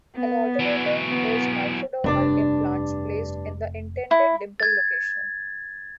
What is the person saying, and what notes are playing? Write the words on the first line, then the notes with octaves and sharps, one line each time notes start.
An alternative is microdermal implants, placed in the intended dimple location.
B3
E3 F#3
B3
F1 G2 D4 D5
E4
G#6 A6